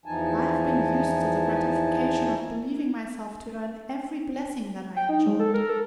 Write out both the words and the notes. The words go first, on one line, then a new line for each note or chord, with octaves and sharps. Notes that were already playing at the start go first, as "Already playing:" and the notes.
I have been used to the gratification of believing myself to earn every blessing that I enjoyed.
E2 E3 F3 D#4 G#5 A5
G5
D#4
G#3
A4
A#4
A4